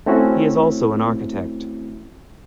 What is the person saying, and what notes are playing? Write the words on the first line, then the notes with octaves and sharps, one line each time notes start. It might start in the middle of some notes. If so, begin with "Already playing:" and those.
He is also an architect.
A3 C4 C#4 E4 F#4